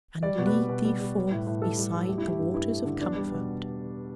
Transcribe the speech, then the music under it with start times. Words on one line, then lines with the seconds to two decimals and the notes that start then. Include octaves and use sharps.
And lead thee forth beside the waters of comfort.'
0.23 G3 D5
0.38 B2
0.46 B4
0.54 G3
0.69 B2
0.85 G3
1.00 G3
1.15 G3
1.31 A2
1.47 A2
1.62 G3 A4
1.78 G3
1.93 G3
2.08 A3 G4
2.18 E4
2.24 A3 G4
2.39 G2
2.54 G2 E4
2.70 A3
2.85 D3
3.00 E2 D4
3.16 G3
3.32 B2